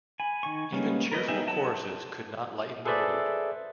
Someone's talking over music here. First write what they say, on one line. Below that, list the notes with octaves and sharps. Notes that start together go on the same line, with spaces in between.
Even cheerful choruses could not lighten the mood.
G#5 B5
D#3 G#5 C#6
G3 G#3 A#3 B3 C#4
A#4 B4 D#5
B3 D#4 G4 G#4 E5
F#3 D#5 F#5 A5
G#4 A4 B4 C5 D5 E5